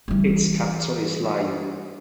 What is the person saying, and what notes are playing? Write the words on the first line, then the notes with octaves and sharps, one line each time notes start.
Its capital is Layou.
E3 G3